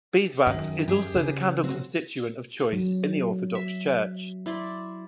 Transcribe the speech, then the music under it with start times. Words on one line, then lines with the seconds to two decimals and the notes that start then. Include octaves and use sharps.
Beeswax is also the candle constituent of choice in the Orthodox Church.
0.47 F#2 D#3
0.88 G4 G#4
1.16 C#3
1.63 C4 F#4
2.73 F#3
3.55 E5
4.46 E4 D5 C6